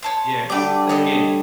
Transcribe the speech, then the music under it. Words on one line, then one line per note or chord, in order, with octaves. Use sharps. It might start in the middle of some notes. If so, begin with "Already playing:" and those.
Yes, like a game.
C#5 A5 C6
D3 G3 A3 D6
C#5 D#5 A5